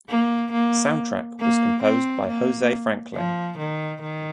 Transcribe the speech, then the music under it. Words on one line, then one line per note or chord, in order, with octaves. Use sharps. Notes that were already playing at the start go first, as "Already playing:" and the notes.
Soundtrack was composed by Jose Franklin.
A#3
A#3
A#3
C4
A#3
F3
D#3
D#3